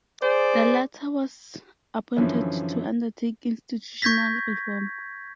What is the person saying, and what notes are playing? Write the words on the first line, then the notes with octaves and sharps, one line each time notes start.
The latter was appointed to undertake institutional reform.
G#4 C5 D5
F#2 D3 E3 F3 C#4 E4
C#6 G6 G#6 A#6 B6